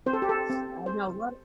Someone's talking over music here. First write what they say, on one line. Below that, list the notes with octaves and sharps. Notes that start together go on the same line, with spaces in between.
Yes. I know lotta
C4 C5
A4
G4
A4
C4
C5